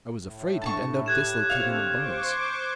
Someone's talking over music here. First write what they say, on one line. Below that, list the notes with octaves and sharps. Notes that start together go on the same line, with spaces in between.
I was afraid he'd end up dislocating the bones.
A2
D4 A5 C#6
G4 F#6 G#6 E7
D3 C4 C#5 F5
C5 C#6 D6